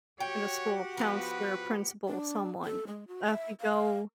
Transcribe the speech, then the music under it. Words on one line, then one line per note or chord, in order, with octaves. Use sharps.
in the school counselor, principal, someone. I have to go
F#4 G4 C#5 F#5 G5
F3 B3 F4 B4
D4
A4
G#3
F#4
E5
F5